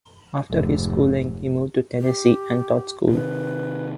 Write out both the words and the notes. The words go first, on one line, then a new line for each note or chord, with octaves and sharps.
After his schooling, he moved to Tennessee and taught school.
F1 G#2
G4
C3 D#3 B4